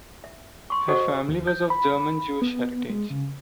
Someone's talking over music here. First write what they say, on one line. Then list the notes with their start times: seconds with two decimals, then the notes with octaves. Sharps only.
Her family was of German Jewish heritage.
0.24 E5
0.70 C6 C#6
0.88 F#4 A4 C5 D#5 F#5 C#6
1.28 D#2
1.47 G6
1.70 B5
2.42 B3
2.90 G#3
3.10 C#3